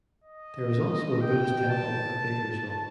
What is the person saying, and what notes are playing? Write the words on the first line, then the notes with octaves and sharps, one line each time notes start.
There is also a Buddhist temple, at Bakersville.
D#5
G5
A5